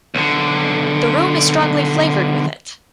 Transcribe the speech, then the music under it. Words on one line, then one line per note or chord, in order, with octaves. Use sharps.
The room is strongly flavoured with it.
B1 D3